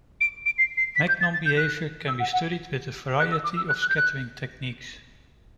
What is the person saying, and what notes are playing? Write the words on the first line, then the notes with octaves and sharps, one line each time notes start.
Magnon behavior can be studied with a variety of scattering techniques.
D7
D7
C7
C7
B6
G6
A6
A6
G6
F#6
E6
F#5
F#5
F#6
E6
D6
E6
F#6
F#6
G6
F#6